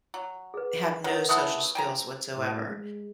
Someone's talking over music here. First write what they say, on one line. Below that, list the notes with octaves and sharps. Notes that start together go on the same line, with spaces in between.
have no social skills whatsoever,
F#3
G#4 B4
F#3 B3 C4 E4 B4 C#5
E3 A3 F#5 B5 D#6
G5 G#5 A#5
A2
G#3